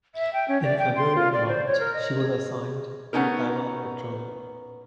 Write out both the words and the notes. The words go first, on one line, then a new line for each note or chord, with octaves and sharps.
In February and March, she was assigned to Taiwan patrol.
E5
G5
C#4
D5
G5
C6
F4
D5
C5
C#5
A#4
D#5
G#4
A3 B3 C#4 D#4 A#4